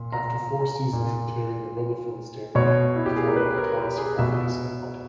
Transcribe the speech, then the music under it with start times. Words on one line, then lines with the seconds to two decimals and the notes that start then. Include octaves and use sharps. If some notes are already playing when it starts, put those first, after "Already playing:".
After four seasons of clearing the rubble-filled stairway, he found Pakal's sarcophagus and body.
Already playing: A#2
0.12 A#5
0.93 A#2
2.55 B2 C#5
2.96 E4
3.06 G4
3.16 G#4
3.27 A#4
3.36 B4
3.58 A#4
3.77 G4
3.98 G#4
4.19 B2 E5